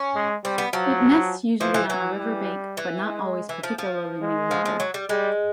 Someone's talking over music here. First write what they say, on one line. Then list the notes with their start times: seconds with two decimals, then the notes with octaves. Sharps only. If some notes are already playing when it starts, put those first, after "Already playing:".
It nests usually on a river bank, but not always particularly near water.
Already playing: C#4
0.16 G#3
0.44 G3 C4
0.58 B3
0.73 F3 F#3
1.60 E3 F3
1.74 E3
1.90 E3 F#3
2.19 G3
2.77 E3
3.05 G#3
3.49 E3
3.63 F3
3.78 F3
4.22 G#3
4.51 F3
4.66 F3
4.80 F#3
4.94 G3
5.09 G3 G#3